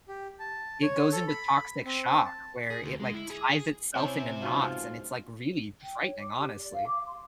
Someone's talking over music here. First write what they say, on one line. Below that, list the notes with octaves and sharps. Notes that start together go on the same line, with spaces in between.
it goes into toxic shock where it, like, ties itself into knots, and it's, like, really frightening, honestly.
G4
A5
C#5
A4
B5
C4
A5
G#4
D2
G#3
E4
G#4
C3 C#4 E4 C5
G#2 B2 F3 F4
G5
C#5
D6
G4
D5
F5
D6
C6